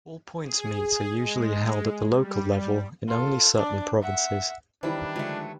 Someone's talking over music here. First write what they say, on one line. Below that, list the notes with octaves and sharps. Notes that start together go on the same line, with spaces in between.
All-points meets are usually held at the local level in only certain provinces.
G#4
G#3
G3
F4 A4
D4 D5
E5 F#5
D#3 E3 G3 C4 D4 E4 B4
D3 F3 F#3 G#3 A3